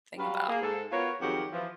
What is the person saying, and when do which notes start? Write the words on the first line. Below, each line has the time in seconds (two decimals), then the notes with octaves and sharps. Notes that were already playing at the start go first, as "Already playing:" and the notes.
thing about
0.18 F#3 G3 F#4 B4 F5
0.48 A#3 G#4
0.62 G#2 A4
0.92 B3 F4 F#4 A#4 C#5
1.21 F2 G#2 D#3 F#3 G4 F#5
1.52 E3 F3